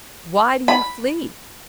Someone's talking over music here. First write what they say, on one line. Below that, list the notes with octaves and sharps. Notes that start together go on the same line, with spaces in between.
Why do you flee?
B5